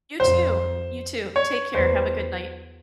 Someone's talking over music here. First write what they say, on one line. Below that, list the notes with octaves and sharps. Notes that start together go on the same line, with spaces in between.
You too, you too. Take care, have a good night.
F2 C5
C#5
E2 C5